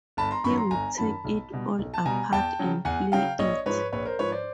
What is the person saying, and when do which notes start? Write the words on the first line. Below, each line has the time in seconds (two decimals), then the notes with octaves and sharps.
He would take it all apart and play it.
0.17 G1 A5 B5
0.31 A#5 C6
0.44 F#2 D#3 F#3 B5 C#6
0.57 A#5 C6
0.71 G1 G#5 A#5
0.98 F#2 D#3 F#3 A5 B5
1.24 B1
1.52 B2 G3
1.78 B1
1.94 A5
2.05 B2 G3 G#5 A#5
2.31 E2 G5 A5
2.59 C#3 F#3
2.85 E2 F#5 G#5
3.12 C#3 F#3 F5 G5
3.38 A#1 C#5 D#5
3.66 G#2 F3 B4 C#5
3.92 A#1 B4 C#5
4.05 A#4 C5
4.19 G#2 F3 B4 C#5
4.32 C5 D5